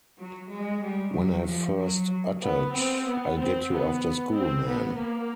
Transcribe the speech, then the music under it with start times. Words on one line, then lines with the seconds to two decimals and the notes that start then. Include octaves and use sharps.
When I first uttered, 'I'll get you after school, man!
0.19 F#3
0.51 G#3
0.84 G3
1.15 F#3
1.47 F3
1.79 F#3
2.43 B3
2.75 C4
3.07 B3
3.39 C4
3.72 B3
4.35 C4
4.67 B3
4.99 A#3